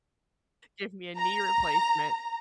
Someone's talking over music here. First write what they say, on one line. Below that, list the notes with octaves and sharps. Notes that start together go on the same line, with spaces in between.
give me a knee replacement."
A#5